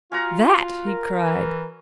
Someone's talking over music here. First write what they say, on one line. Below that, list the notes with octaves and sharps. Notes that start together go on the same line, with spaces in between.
"That!" he cried.
C#4 F4 F#4 A#5
A#4
E3